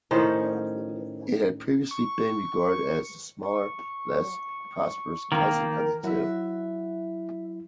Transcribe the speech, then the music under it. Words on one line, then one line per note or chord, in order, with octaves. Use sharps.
It had previously been regarded as the smaller, less prosperous cousin of the two.
A2 D#3 C#4 C5
C#6
C#6
D#3 A#3 F5
A#4
F#3 E4 F#4 E5